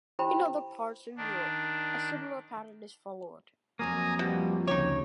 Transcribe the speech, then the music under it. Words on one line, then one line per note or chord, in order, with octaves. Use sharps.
In other parts of Europe, a similar pattern is followed.
E4 G4 C5 G5 A#5 B5
D#3 D4
F2 F#3 A#3 G#5 A#5 D#6
B2 F3 G3
D2 C#3 D#4 G4 C#5